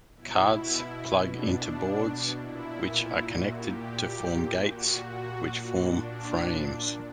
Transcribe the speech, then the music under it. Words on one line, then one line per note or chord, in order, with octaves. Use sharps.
Cards plug into boards which are connected to form gates which form frames.
B2 E4
D4
A#2 E4
E4
F#4
G4
A#2 F#4
D4